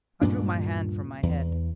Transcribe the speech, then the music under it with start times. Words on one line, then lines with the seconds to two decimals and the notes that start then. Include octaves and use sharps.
I drew my hand from my head.
0.22 D2 G2 A#2 D4
1.23 E2